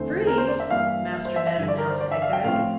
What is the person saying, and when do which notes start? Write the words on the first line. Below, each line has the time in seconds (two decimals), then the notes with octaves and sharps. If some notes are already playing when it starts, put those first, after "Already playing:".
"Trees!" Master Meadow Mouse echoed.
Already playing: E2 D3 A3 C4 E4 C5
0.27 A#4
0.38 C5
0.48 D5
0.60 E5
0.70 G2 E3 A#3 E4 F5
1.14 E5
1.25 C5
1.36 E5
1.47 E5
1.57 G2 D3 G3
1.68 D5
1.78 A#4
1.89 C5
2.01 D5
2.11 E5
2.22 F5
2.33 G5
2.44 A2 F3 C4 F4 F5